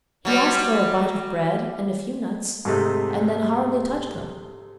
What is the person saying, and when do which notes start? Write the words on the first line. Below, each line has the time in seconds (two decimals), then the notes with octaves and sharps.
He asked for a bite of bread and a few nuts and then hardly touched them.
0.25 F#3 G3
2.65 G#2 C3 A3 D#4